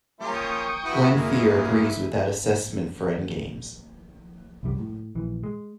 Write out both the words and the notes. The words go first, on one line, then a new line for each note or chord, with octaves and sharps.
Glenn Flear agrees with that assessment for endgames.
G3 A#3 C#4 F4
G5 C#6 D#6
E4 F#4 B4
F#2 G#3 A#3 E4
C2 F#2 G3
A2
A#1 E3
G#3